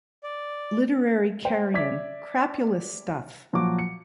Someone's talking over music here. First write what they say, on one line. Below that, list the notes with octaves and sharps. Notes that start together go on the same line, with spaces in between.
Literary carrion... Crapulous stuff.
D5
C5 G5
D5 E5 D6 G#6 B6
A#2 F3 F#3 F#4 D6
C#7